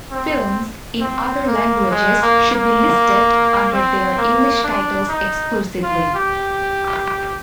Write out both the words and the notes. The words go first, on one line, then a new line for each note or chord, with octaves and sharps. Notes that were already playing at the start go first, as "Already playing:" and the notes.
Films in other languages should be listed under their English titles exclusively.
C4
C4
A#3
G#3
A#3
A#3
C4
A#3
D4
D#4
F4
G4